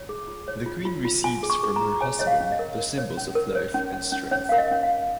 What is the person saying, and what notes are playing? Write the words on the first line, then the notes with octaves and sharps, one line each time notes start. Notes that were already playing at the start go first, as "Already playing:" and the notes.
The queen receives from her husband the symbols of life and strength.
Already playing: C#5
G#4
F4
C#5
F4
F4
F4
F4 G#5
G#4
C#6
G#4 C#6
A#5
G#4
C#5 G#5
C#5 D#5
F5
C#4
D#5
A#4
A#4
C#5
C#4
A#4
C#5
C#4
C#4
C#4
C#4 C#5
A#4 F5
D#5
C#4
F5
C#4